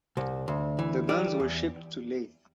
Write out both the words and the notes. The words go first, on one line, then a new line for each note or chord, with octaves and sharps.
The guns were shipped to Leith.
C2
D2
E3
G3 D5
E2